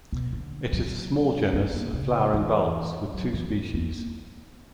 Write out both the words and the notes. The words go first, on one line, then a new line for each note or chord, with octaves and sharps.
It is a small genus of flowering bulbs, with two species.
B2
D3
F#3
A#3
B3
C#3
E3
F#3
E3
E3
A#3